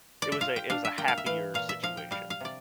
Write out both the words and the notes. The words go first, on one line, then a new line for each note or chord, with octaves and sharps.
it was a it was a happier situation.
D5
E5
F4 F5
G5
D4 F5
E5
A#3 G5
F5
E5
E3 F5
A#2 F5
E5
F3 F5
G5
G3 F5
F5
C3 D5